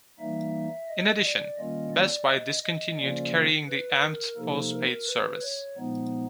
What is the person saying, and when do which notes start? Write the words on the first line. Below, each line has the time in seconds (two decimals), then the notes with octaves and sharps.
In addition, Best Buy discontinued carrying the Amp'd post-paid service.
0.19 E3 G3 A#3 D#4 E5
0.89 D#5
1.24 D5
1.58 D#3 G3 A#3 C#4 F4 D#5
1.93 D5
2.28 D#5
2.63 D#5
2.98 C#3 F3 A#3 C#4 F4 D5
3.68 B4
4.02 A#4
4.37 C3 F3 A#3 D#4 A4
4.72 A#4
5.07 B4
5.41 C#5
5.77 A#2 F3 G#3 B3 D#4